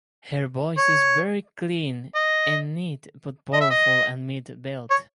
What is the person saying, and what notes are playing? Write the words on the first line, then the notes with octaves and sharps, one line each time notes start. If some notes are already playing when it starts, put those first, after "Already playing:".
Her voice is very clean and neat but powerful and mid-belt.
C#5
D#5
D#5
E5
D#5
C#5